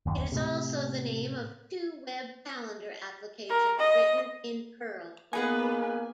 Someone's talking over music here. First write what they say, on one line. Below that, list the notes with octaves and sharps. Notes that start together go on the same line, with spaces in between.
It is also the name of two web calendar applications written in Perl.
F#1 D#2
A2 C3
A#4
D#5
A#3 B3 D#4 G#4 B4 F#5 G#5